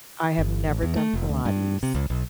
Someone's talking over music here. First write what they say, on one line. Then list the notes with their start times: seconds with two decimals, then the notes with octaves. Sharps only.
I have never done Pilates.
0.39 G1
0.68 A1
0.83 E2
0.96 A3
1.14 F1
1.29 D2
1.45 G2
1.83 C3
1.95 C#2
2.10 B1